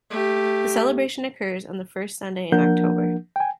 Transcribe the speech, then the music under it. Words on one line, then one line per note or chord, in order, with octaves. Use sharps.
The celebration occurs on the first Sunday in October.
A3 G4
F3 A#3 D4 A#4 F#5 G6
G5 G#5